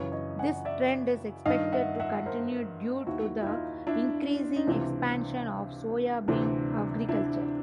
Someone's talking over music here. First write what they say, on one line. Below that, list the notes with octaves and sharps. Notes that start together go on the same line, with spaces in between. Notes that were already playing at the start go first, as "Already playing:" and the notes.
This trend is expected to continue due to the increasing expansion of soybean agriculture.
Already playing: F#2 C#3 E3 B4 C#5
C#5 D#5
F#5 G#5
D5 E5
G2 D#3 D#5 F5
E5 F#5
E5 F#5
A#4 C5
D#2 D#3 E4 F#4
E4
D#4 F4
D4 E4
D#4
C#2 C3 E3 C4 D4
D2 C3 E3 C4 D4
D4 E4